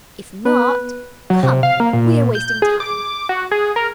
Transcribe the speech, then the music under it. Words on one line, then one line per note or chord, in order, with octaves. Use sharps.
"If not--come, we are wasting time."
B3 B4
F#3
C3
F5
A#3
A#2
G6
G#4
D6
F#4
G#4
A#4